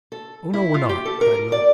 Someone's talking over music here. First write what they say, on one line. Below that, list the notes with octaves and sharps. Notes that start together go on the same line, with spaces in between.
"Oh no, we're not!" cried Willis.
A4
E4
F4
G4
A4
A#4
D5